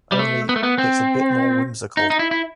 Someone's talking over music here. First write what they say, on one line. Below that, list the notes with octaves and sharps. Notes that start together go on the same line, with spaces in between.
Only it's a bit more whimsical.
G3
A3
B3
A3
B3
C4
D#4
D#4
E4
E4